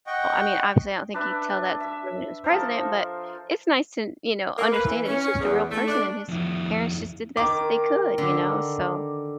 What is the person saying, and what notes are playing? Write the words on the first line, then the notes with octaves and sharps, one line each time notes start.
I mean, obviously I don't think he'd tell that story when he was president, but it's nice to, you know, understand that he's just a real person and his parents just did the best that they could, you know? So
D#5 F#5 G5 C#6
D4 B4 E5
E5
F3 A4 A#4 C5
A#3
B4
E3
C#4
C#4
E2
A3
D4
F2 E4
D#3 D6
D3